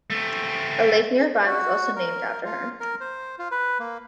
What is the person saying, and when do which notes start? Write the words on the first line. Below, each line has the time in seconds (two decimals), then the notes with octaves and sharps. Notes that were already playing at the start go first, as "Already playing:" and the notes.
A lake nearby was also named after her.
0.10 A3 C4
1.46 F#4
1.96 A#4
2.45 F4
2.80 A#4
3.00 C5
3.39 F4
3.51 B4
3.80 A#3